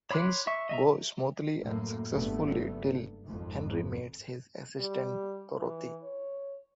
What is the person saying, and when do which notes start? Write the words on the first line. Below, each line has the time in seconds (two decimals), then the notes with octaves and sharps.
Things go smoothly and successfully till Henry meets his assistant Dorothy.
0.11 C#5 B5 C6 D6 F#6
0.47 E5 C#6
0.69 D#5 E5 A#5
1.63 F#2 A2 A3 A#3
2.11 F#1 G2 A3 B3
3.25 G#1 F2
4.79 G3
5.58 E3
6.03 C#5